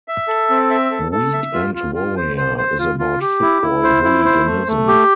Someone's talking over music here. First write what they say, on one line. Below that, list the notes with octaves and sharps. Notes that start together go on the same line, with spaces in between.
"Weekend Warrior" is about football hooliganism.
E5
A4
C4
E5
A4
A4
E5
F4
F4
F4
C5
C5
C5
F4
F4
G4
E4
E4
C5
E4
C5
A3
A3
G4